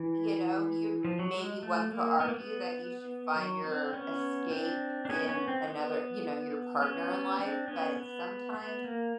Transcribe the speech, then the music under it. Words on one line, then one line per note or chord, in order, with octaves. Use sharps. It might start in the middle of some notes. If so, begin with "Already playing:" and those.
you know, you m maybe one could argue that you should find your escape in another, you know, your partner in life, but sometimes,
Already playing: E3
F3
F#3
G#3
A3
A#3
B3
A#3
B3
F#3
C4
B3 C#4
C4 D4
D4
B3 C#4
B3 C#4
C4
B3
B3 C#4
C4 D4
B3 C#4
B3
B3
A#3